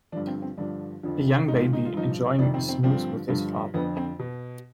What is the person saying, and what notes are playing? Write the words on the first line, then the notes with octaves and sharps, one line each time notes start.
A young baby enjoying a snooze with his father.
G2 D3 F3 D4
C4
C4
G2 D3 F3 D4
F2 D3 F3
G#2 D#3 D#4
F4
D#4
F4
G2 F3 D#4
F2 C3 D#3 D4
C4
C4
G2 D3 F3 C4
G2 D3 F3
F2 D3 F3 B3
C4
B2